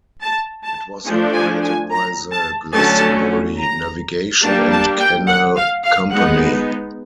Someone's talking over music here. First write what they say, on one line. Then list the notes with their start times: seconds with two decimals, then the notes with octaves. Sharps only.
It was operated by The Glastonbury Navigation and Canal Company.
0.22 A5
0.64 A5
1.06 F3 A3 D4 G#5
1.34 G#5
1.62 G#5
1.91 A#5
2.32 A5
2.75 D3 F#3 A3 C#4 A5
3.58 A#5
4.43 G3 A#3 D4 A5
4.71 A5
4.99 G5
5.27 F#5
5.55 F5
5.84 F5
6.11 G#3 B3 D#4 F#5